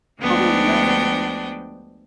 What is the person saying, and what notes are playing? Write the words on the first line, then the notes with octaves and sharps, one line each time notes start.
Oh, no.
D2 F3 G#3 B3 D4 G5